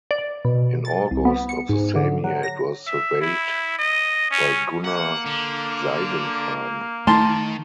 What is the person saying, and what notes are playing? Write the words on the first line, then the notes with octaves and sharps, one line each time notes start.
In August of the same year it was surveyed by Gunnar Seidenfaden.
D5
B2
A6
C2
B3
C#7
G#2
D3
F#3
A#6
E5
E4
D#5
C#4
A#3 F#5
D3
D#3 A3 A5 C6